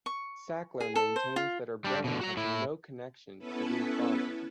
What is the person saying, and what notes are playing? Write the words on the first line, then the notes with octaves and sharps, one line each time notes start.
Sackler maintains that her brand has no connection to Purdue Pharma.
C#6
G#4
A4
C5
F4
G3 D4
B2 D3
F#4 A#5
A2 E4
B3 C#4 E4 A4 B4